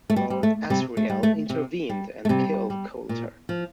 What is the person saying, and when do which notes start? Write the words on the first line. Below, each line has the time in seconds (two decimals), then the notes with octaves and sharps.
Lord Asriel intervened and killed Coulter.
0.10 A3
0.16 G3
0.30 G3
0.43 A3
0.70 C3 G3
0.97 A3
1.10 G3
1.23 A3
1.50 C3
1.90 G3
2.25 A3
2.29 C3 G3
2.70 G3
3.09 A#2
3.49 F3